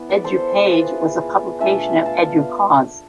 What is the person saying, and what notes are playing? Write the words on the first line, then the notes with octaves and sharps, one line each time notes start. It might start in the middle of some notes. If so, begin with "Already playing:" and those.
Edupage was a publication of Educause.
Already playing: E3 B3 E4
B4 D5
A4 C5
E3 B3 F4 G#4 B4
B2 A3 D4 F4 E5 G#5
F5 A5